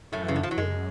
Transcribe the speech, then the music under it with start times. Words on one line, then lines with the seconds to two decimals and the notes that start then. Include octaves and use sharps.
I'll do it.
0.12 F#2 A2 A3
0.28 C#3
0.36 D3
0.43 F3
0.51 F#3
0.57 F#2 G#3